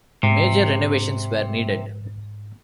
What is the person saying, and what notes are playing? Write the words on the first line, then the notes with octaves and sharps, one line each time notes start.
Major renovations were needed.
G#2 C3